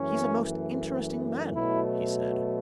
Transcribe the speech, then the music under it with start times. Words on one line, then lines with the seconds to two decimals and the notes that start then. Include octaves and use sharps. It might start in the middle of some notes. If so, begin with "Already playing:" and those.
"He's a most interesting man," he said.
Already playing: F#2 E3 A3 C#4
1.55 B2 F#3 A3 E4